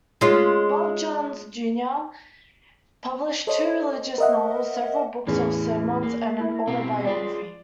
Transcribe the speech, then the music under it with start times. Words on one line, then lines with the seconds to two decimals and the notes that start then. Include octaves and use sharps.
Bob Jones Junior published two religious novels, several books of sermons, and an autobiography.
0.21 G#3 C#4 F4
3.47 A4 C5 C#5 D#5
4.18 A#4 C5 D#5 E5 F#5
5.27 E2 A2 E3 C#4
6.03 A#3
6.40 E4
6.67 B2 C4
7.05 G#3 F4 D5